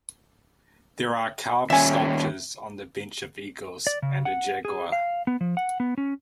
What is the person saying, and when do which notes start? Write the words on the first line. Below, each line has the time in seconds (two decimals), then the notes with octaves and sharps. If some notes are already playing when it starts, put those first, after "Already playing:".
There are carved sculptures on the bench of eagles and a jaguar.
1.70 D#2 C#4 E5 G#5
3.87 D5
4.02 C#3
4.25 F#5
4.65 G#4
4.92 F5
5.27 B3
5.41 F3
5.57 F#5
5.80 B3
5.98 C#4